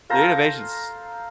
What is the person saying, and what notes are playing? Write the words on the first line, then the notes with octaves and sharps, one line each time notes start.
The innovation's
F4 A4 C5 A#5